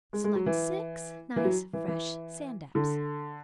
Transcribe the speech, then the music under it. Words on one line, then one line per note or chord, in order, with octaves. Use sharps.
Select six nice fresh sand-dabs.
G#3
G#3
F#3
E3
E3
F#3
E3
E3
D3